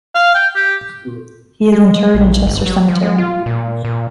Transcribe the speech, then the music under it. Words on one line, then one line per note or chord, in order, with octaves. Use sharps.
He is interred in Chester Cemetery.
F5
G5
G4
G#3
A#1
G1
F#3
F3
G#3
F4
A#2
A#2